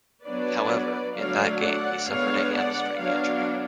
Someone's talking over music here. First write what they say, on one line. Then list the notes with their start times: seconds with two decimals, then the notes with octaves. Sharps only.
However, in that game, he suffered a hamstring injury.
0.25 F#3 B3 D4 B4 D5
1.17 D3 F#3 A3 D4 C#5 F5
1.63 D5 F#5
2.09 D3 G#3 B3 D4 C#5 F5
2.55 D5 F#5
3.01 F#3 B3 D4 C#5 F5